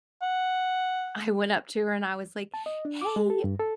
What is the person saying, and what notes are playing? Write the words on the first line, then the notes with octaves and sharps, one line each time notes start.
I went up to her, and I was like, "Hey,
F#5
A5
D#5
D4
D6
G#3
A4
G2
A4